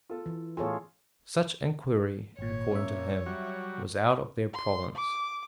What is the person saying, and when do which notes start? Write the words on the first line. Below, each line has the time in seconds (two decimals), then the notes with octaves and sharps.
Such inquiry, according to him, was out of their province.
0.10 F4 A4
0.26 E3
0.57 A1 F4 G#4 A4 C#5 G#5
2.39 G#1 A#2 C#5
2.71 A#2 C#4 E5
3.26 F#3 G3 F#4
4.53 C6
4.95 D6